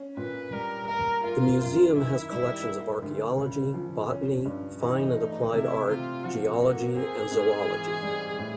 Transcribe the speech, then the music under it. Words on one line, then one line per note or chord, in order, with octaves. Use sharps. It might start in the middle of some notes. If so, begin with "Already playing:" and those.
The museum has collections of archaeology, botany, fine and applied art, geology, and zoology.
Already playing: C#4
A#2 B4
G3 A#4
A#3 A#4
A#3 F4
F#2
D#3 E4
G3 E4
A#3
D2
C#3
F3
C#4
G2
E3 D#4
A3
C3 E4
C3 F4
F3 F#4
A#3
C4 G#4
G#2
E3
G3
A2